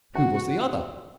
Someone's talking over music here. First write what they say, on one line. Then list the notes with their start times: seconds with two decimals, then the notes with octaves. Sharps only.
Who was the other?
0.15 F#4 F#5